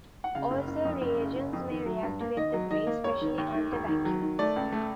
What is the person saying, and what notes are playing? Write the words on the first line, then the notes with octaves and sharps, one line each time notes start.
Also, reagents may react with the grease, especially under vacuum.
F#5
C#3 F5
F#1
F#1
F2
F#1
C#3
F#1
F2
D#3
F#3
G2
A#3
D#3 D#5
F#3
D#3 D#5
A#3
E1 C#5
D#3
D#2
D#3
E1
D#3
F#3
D#3
A3 D5
C#2
A3